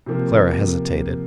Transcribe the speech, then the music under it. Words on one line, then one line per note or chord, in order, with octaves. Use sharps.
Clara hesitated.
C3 F3 A#3